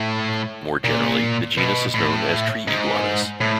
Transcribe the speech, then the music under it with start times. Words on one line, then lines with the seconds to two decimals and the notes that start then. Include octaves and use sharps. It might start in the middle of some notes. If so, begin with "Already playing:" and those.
More generally, the genus is known as "tree iguanas".
Already playing: A2
0.84 A#2
1.58 B2
1.94 A2
2.68 G#2
3.41 A2